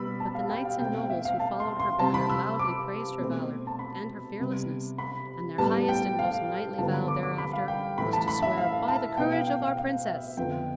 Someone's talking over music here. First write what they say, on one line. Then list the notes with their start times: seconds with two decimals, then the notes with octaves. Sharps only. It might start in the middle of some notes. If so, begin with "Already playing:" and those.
But the knights and nobles who followed her banner loudly praised her valor and her fearlessness, and their highest and most knightly vow thereafter was to swear "By the courage of our Princess."
Already playing: B2 G3 B3 B5 E6
0.20 A5
0.35 F5
0.50 G5
0.65 F5
0.80 B2 A3 C4 G5
0.95 F5
1.10 E5
1.25 F5
1.40 A5
1.60 C6
1.80 C6
1.99 C3 G3 C4 A5
2.14 B5
2.30 E6
2.59 D6
3.19 B2 A3 C4
3.67 A5
3.79 B5
4.39 C3 G3 B3
4.98 B5
5.58 A2 G3 B3 A5
5.89 G5
6.19 F5
6.78 G2 D3 F3 B3 A5
6.94 B5
7.08 D6
7.23 D6
7.38 B5
7.53 F5
7.68 G5
7.98 A2 E3 A3 B5
8.13 A5
8.28 B5
8.43 E5
8.58 F5
8.88 A5
9.17 B2 B3 G5
9.32 F5
9.47 G5
9.62 F5
9.77 F5
10.07 E5
10.37 F2 D3 F3 B3 G5